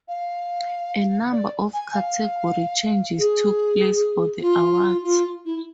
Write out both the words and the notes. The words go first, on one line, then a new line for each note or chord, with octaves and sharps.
A number of category changes took place for the awards.
F5
D5
G#5
F5
G#4
F4
F4
E4